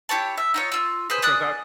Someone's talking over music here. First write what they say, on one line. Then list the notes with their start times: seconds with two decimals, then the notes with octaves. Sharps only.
because that
0.09 E4 G4 C#5 A5
0.37 E5
0.54 D#4 F4 C#5
0.72 F4 E6
1.10 G#4 B4 C5
1.22 G#4 D5 D#6 F#6